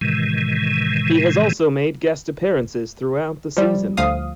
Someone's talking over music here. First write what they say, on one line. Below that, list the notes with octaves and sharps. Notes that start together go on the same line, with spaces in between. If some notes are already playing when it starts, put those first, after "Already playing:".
He has also made guest appearances throughout the season.
A2 C3 D#3 E3 G#3
F3 G3
D2 F3 F5 D#6